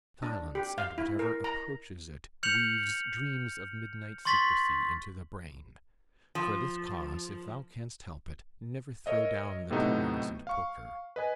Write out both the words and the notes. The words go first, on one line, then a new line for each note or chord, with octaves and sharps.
Silence, and whatever approaches it, weaves dreams of midnight secrecy into the brain: For this cause, if thou canst help it, never throw down the tongs and poker.
D4
G4
F5
E4
A#4
A#5
F6 G6 C#7 F7 F#7
C6 C#6 A6 B6 F#7
F3
A#4 C#5 D#5 E5
A2 C3 F#3 A3 B3 D#4
F5 C#6
B4 D#5 G#5